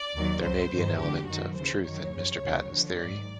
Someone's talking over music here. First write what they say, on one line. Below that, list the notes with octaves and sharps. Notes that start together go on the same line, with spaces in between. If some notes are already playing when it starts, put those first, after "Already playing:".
There may be an element of truth in Mr. Patton's theory.
Already playing: D5
D#2 D#3 F#3
C#2 C#3 F#3 C5
G2 D#3 F#3
D2 D3 F#3 G4
F#2 D#3 F#3 F#4
D#2 C#3 E3 C5
F#2 D#3 F#3 C#5
F#2 C#3 F3
D2 C#3 F#3
D#2 D3 F3
G#2 D#3 F#3 D5